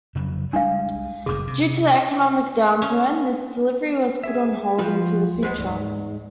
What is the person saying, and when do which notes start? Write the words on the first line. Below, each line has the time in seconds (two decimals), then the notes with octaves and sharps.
Due to the economic downturn this delivery was put on hold until the future.
0.15 F2 C#3 F#3
0.53 G3 G#3 D4 F5
1.26 F#1 F#2 B2 G#4 D6
1.47 C3
2.82 C#4
4.23 G#4 E5
4.78 F3 F4 F#4 B4
5.43 G#3 B3 B4 C5
5.58 E2 G#2